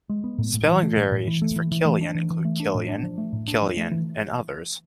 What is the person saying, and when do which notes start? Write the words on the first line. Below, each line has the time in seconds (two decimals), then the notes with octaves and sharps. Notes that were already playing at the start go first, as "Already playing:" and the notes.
Spelling variations for Killian include Kilian, Killion, and others.
0.09 G#3
0.24 B3
0.38 A2
0.54 A2
0.68 E3
0.83 A3
0.97 A2
1.12 A2
1.27 E3
1.42 A3
1.56 E3
1.72 E3
1.85 A3
2.01 D4
2.15 E3
2.30 E3
2.45 A3
2.60 D4
2.75 A2
2.89 D4
3.03 F3
3.18 A3
3.33 A2
3.48 D4
3.62 F3
3.77 A3
3.91 E3